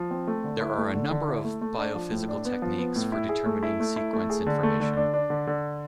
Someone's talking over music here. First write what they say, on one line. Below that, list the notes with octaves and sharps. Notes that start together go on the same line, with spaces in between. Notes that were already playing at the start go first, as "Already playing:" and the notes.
There are a number of biophysical techniques for determining sequence information.
Already playing: F3
C4
A3
D3
E4
A3
D3
D3
E4
A3
A3
D4
F3
A2
D4
B3
F3
B3
A2
E4
G#4
A3
E4
A3
E4
A3
G#4
D3
A3
D3
D4
D4
D3
D3